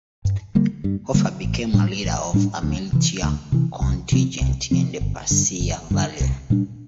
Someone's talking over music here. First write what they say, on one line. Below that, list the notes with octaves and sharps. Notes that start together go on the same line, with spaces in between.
Hofer became a leader of a militia contingent in the Passeier Valley.
G2
D3 G3 A#3
G2
D3 G3 A#3
A1
A2 G3 D4
A1
A2 G3 D4
D2
C3 E3
D2
C3 E3
C2
C3 F3 C4
C2
C3 F3 C4
G1
G2 D3
G1
G2 D3
C2
A#2 G3 D4